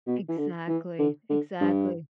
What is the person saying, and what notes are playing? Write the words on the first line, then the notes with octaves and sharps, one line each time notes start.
Exactly, exactly.
B2
E3
D3
E3
D3
D3
G2